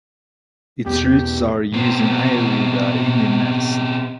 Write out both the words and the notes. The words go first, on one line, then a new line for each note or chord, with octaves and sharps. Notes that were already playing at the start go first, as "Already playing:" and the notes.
Its roots are used in ayurveda Indian medicine.
B1 E2 B3 G4
B2 C4